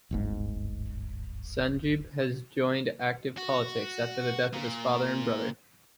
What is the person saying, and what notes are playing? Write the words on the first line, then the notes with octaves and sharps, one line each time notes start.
Sanjib has joined active politics after the death of his father and brother.
D1 G1 G#2
F#4
A#2